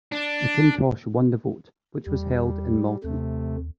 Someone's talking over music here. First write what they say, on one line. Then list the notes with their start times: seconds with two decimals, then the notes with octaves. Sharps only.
McIntosh won the vote, which was held in Malton.
0.12 D4
2.06 E2 G3
3.04 D#2 C3 A3